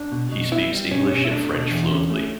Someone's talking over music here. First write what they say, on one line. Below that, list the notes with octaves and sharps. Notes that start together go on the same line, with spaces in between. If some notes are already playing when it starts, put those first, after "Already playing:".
He speaks English and French fluently.
Already playing: D4
B2
B2
B3 E4
G3
B2 C#4
B2 C#4
E4
A3 D4
B2
E2
C#4
A3